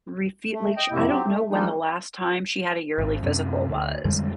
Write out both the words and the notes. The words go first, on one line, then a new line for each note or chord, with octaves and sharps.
refu like sh I don't know when the last time she had a yearly physical was.
A3
D#5 G5
F2 A2 C3 A#3 E4
F#3 C4 G4
A3
F3 G3 G#3 A#3 D4 D#4
G#1
F#2 C3
D2
F2 D3 G3 G#3